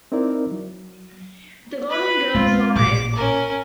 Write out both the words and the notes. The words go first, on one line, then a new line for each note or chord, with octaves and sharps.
The Golden Girls: Live!
C4 D#4 E4 A#4 D5
F#3
B4 B5
G#3 C4 F4
A1 A#2 D6
C#4 A#4